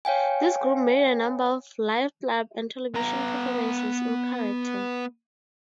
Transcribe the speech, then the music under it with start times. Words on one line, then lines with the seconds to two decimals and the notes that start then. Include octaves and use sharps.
This group made a number of live club and television performances in character.
0.05 C#5 F5 G5 G#5
2.95 B3 A#5